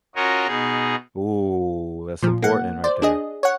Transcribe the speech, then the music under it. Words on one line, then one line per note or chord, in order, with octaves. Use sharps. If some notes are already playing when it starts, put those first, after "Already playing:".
Ooh, that's important right there.
C#4 F4 F#4 A#4 C#5 D#5
B2 D#4 G#4
A#2 F3
A#3 F#5
C5 D5
D4 G#4 D#5
C#5 F#5